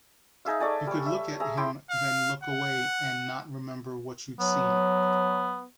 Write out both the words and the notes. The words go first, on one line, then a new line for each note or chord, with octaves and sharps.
You could look at him then look away and not remember what you'd seen.
D#4 G#4 E5 F5
A4 C#5 D5 G#5
G3 C#5
E5
G#4 E5 A#5
E4 G5 C6 D6
F5
F#5
F#3 B3